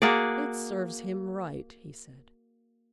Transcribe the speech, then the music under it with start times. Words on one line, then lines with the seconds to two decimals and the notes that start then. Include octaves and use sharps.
"It serves him right," he said.
0.02 A#3 F#4 G#4 D5